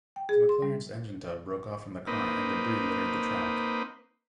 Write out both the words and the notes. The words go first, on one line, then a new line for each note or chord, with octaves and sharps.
His McLaren's engine tub broke off from the car and debris littered the track.
G5
G#4
C6
G3
A#3 C4 D#4 B4